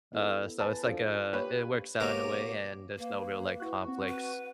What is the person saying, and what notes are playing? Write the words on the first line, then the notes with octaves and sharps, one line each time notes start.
uh, so it's like, uh, it works out in a way and there's no real, like, conflicts,
B3 E4 A4
B4 G#5 A5
F3 D4 A4
A#3 G4 B4 C#5
B2 A#3 C#4 G4 A#5 D6
A#3 B4
E4 F#4 F#6
C4
B4 F#5